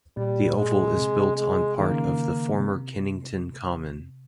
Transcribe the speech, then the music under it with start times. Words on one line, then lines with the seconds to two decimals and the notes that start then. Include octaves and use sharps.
The Oval is built on part of the former Kennington Common.
0.17 A#2 G3
0.57 G#3
0.97 C3
1.38 G#3
1.78 D#3 A#3
1.91 C#3
2.05 C#3
2.59 C3